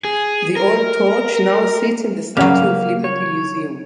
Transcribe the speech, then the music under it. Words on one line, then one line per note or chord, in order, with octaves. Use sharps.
The old torch now sits in the Statue of Liberty Museum.
G#4
A#4
C#3 F#3 A#3 F5
C#5